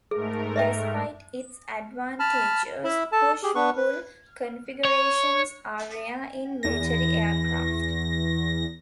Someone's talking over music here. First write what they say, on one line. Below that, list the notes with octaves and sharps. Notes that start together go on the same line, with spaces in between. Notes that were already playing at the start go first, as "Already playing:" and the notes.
Despite its advantages push-pull configurations are rare in military aircraft.
G#2 A3 G#4 A#4
D#5 E5 G5
A5 B5 F6
E4 E5 B5
A4 A5
G4 G#4
B3 D4 B4 C#6
B4
C#5
E2 A#6